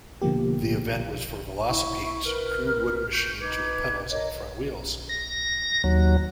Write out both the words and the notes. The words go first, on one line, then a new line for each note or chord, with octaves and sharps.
The event was for velocipedes, crude wooden machines with pedals on the front wheels.
B2 D3 F3 A#3 G4
E4 C#6
A#4 B4 F6
C#6 G6
D#4 B4 D6 G#6
A#4 C#5 D#5
A#6
D#2 F#3